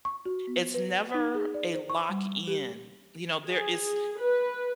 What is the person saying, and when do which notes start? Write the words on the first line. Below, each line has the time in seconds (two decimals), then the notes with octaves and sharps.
It's never a lock in, you know, there is
0.05 C#6
0.26 F#4
0.47 B3
0.74 B4
1.14 D#4
1.35 G#4
1.54 D5
1.75 C5
1.90 C#6
2.09 G3
2.48 G4
3.46 G#4
4.20 B4